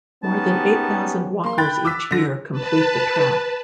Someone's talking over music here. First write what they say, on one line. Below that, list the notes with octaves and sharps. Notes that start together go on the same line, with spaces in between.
More than eight thousand walkers each year complete the track.
B3 C#4 D#4 G4 A5
A#3 C6
G5 B5 F#6 A6
D6 E6 B6
D3 A#6
B4 A5